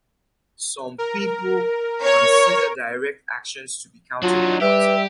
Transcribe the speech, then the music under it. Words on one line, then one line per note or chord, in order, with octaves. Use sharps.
Some people consider direct actions to be counter-productive.
A#4
C#5
F#3 D4 D#4 F4
G3 G4 B4 E5